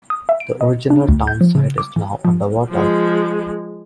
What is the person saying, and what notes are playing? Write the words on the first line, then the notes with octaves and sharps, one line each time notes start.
The original townsite is now under water.
D#6
E5
D7
D#5
D4
D2
G6
F3
C#3
D6
E3
F3
F3 G#3